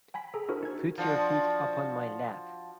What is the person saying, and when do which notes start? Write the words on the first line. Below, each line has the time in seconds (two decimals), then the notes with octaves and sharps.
Put your feet up on my lap.
0.14 G5 G#5 B5 B6
0.34 G#4 A4 A#5
0.49 D4 E4 F#4 A#4 C5
0.63 D#4 G#6
0.98 F3 D4 F#4